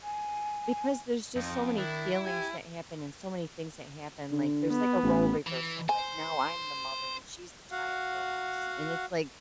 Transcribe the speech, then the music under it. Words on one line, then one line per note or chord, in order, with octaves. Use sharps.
because there's just so many feelings that happen, and so many things that happen. Like, there's, like, a role reversal, like, now I'm the mother, and she's the child almost. And it's, like
G#5
F2 D#4
D#3 D4 E4
G4 G#5
D3
B3
A1
E3
C5 G#5
F#4 F5 F#5